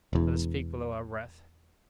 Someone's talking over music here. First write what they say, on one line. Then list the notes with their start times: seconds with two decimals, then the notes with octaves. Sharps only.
"Let us speak below our breath."
0.13 E1 E2